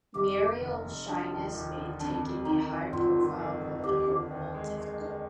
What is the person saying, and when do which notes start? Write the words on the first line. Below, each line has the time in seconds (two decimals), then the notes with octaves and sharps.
Muriel's shyness made taking a high-profile political role difficult.
0.15 F1 G4
0.38 F1
0.62 F1
0.85 F1
1.08 F3 D4
1.31 D#2
1.54 D#2
1.77 D3
2.01 F2 D4
2.24 F2
2.46 D#3 D#4
2.69 D#3
2.92 G1 F4
3.16 D#3
3.39 F2
3.62 F2
3.84 D#2 G4
4.08 D3
4.31 D#2
4.54 G#3
4.78 G#3
5.01 D3